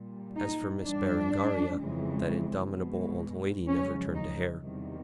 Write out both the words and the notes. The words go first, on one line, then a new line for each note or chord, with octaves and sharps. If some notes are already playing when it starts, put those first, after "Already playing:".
As for Miss Berengaria, that indomitable old lady never turned a hair.
Already playing: A#2 G3
D#4
G2 E3 G3 D4
F2 C#3 E3 G#3
B2 G#3
F#2 C#3 F3 G#3 C#4
D#4
E2 C3 D#3 G3